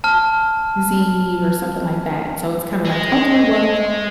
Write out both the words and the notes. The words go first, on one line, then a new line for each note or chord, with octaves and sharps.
X Z or something like that, so it's kinda like, "Okay, well,
A5 F6
G#3 G#4